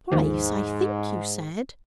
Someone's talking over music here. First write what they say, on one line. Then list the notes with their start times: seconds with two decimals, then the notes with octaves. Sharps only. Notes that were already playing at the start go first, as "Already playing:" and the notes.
"Twice, I think you said?"
0.12 D#2 G#2 D#3 F3